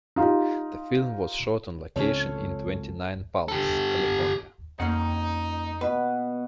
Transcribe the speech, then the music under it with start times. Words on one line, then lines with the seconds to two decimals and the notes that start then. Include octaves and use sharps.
The film was shot on location in Twentynine Palms, California.
0.16 D#4 F4 G4
1.96 C#2 F3 C4 C#4 A4 C#5
3.48 G4 A4
4.80 F2 A#3 C#4 D#4 F#5
5.81 B2 B4